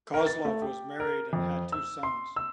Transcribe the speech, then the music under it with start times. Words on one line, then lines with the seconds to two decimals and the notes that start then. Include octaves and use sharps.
Kozlov was married and had two sons.
0.14 A#4
0.26 A6
0.45 A3
0.62 G4
1.00 A#4
1.33 F2
1.72 E6
2.03 C6
2.36 E6